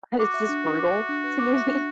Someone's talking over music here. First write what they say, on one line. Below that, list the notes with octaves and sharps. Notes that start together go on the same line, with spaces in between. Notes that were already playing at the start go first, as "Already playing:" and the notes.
it's just brutal to me.
F#4 D6
E5
D4
B4
D6
E5
D4
B4
D6
E5
D4